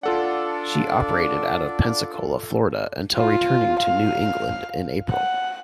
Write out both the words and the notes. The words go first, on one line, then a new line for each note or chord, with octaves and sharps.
She operated out of Pensacola, Florida, until returning to New England in April.
D4 F4 A4 D5 F#5
F4
F5
F#5